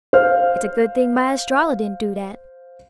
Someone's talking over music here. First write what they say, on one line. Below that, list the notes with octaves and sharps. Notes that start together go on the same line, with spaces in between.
It's a good thing my Estralla didn't do that!
C5 F5 F6